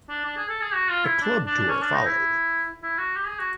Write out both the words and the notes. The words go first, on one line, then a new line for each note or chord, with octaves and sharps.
A club tour followed.
D4
D4
G#4
A4
G#4
F#4
F4
E4
D4
D4
D4
C#4
D4
D#4
E4
E4
F#4
G4
G#4
F#4